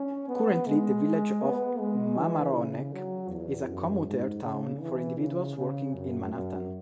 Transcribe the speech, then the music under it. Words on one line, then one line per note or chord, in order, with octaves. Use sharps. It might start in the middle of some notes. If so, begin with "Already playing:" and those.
Currently the village of Mamaroneck is a commuter town for individuals working in Manhattan.
Already playing: C#4
B3
G#3
B3
G#3
E3
C#3
F#3
E2
F#2
G#2
C#3
E3
C#3
C#3
F#2
F#2